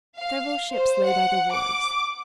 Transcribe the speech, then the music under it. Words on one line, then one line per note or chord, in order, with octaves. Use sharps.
Several ships lay by the wharves.
F5
C5
F#5
D6